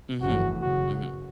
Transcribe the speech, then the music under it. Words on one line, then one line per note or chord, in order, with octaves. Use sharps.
Mhm. Mhm.
G1 F2 C#3 E3 A3 F#4
F#1 F#2 C#3 F#4